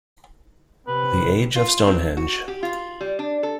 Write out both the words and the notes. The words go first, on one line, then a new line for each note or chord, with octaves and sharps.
"The Age of Stonehenge".
C3 B4
F4
C4
F#4
G4
F4
G3
D4
A4